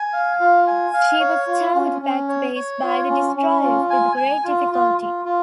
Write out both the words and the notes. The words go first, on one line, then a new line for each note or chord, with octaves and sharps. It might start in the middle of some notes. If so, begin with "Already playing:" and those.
She was towed back to base by the destroyers with great difficulty.
Already playing: G#5
F5
F4
G#5
F5
C#5
F4
C#4
C#4
C#5
C#5
F4
C#4
C#4
F4
G#5
G#5
F4
F4
F4
F4